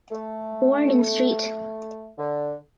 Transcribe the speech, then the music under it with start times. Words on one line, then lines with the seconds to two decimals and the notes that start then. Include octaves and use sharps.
Born in St.
0.11 A3
2.18 D3